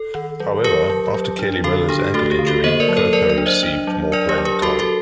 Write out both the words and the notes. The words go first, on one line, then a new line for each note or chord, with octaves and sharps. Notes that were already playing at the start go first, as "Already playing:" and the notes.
However, after Kelly Miller's ankle injury, Coco received more playing time.
Already playing: A4
D#3
F#3
F#3 G4 A#4
F#3
F#3
D4
D3 F#4 A4
D4 G4
A3 F#4 A4
G4
D3
F#4 A4
A#3 C5 D#5
A#4 D5
F#3
A4 C5
F#3 A#4 D5
A#4 D5
D4
C5 D#5
D4
F#3
D4 A#4 D5
G4 A#4
F#3
G4 A#4
F#3 F#4 A4
F#4 A4